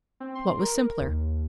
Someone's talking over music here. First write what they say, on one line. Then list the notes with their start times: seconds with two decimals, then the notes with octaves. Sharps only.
What was simpler?
0.20 C4
0.35 C6
0.59 A#4
1.00 D#2